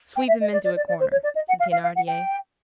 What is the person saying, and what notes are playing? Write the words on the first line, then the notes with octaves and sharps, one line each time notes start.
"Sweep him into a corner," said Thenardier.
G5
E5
D#5
D5
D5
D5
D5
C5
C#5
D5
D#5
F#5
F5
F5
F5
F#5
G5